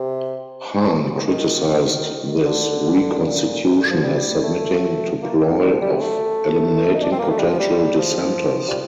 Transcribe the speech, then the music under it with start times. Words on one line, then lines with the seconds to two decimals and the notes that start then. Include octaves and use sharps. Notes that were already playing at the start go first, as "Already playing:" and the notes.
Hahn criticized this reconstitution as submitting to ploy of eliminating potential dissenters.
Already playing: C3
1.27 D#3
2.46 D3
3.20 A2
3.25 A#2
3.65 C3
3.78 D3
3.90 F3
4.04 G3
4.43 A3
5.22 A#3
5.41 A#3
5.62 G3
5.72 F3
5.81 G3
5.92 C3
6.01 A3
6.95 D#4
7.03 D4
7.12 C4
7.19 A#3
7.30 A3
7.39 G3
7.49 F3
7.59 G3
7.99 F3
8.69 G3